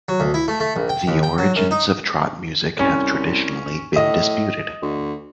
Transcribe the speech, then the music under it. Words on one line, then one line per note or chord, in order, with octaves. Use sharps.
The origins of trot music have traditionally been disputed.
F#3
D2
E4
A3
A3
A#1
G5
D#2
G5
F#3
F#2
D#4
C2 C#4
A2 D#5
D2